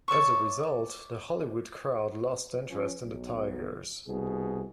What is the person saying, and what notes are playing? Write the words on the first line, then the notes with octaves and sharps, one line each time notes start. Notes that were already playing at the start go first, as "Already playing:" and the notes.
As a result, the Hollywood crowd lost interest in the Tigers.
C#5 D5 E5 C#6
F3 C#4
B1
C2 B2 G#4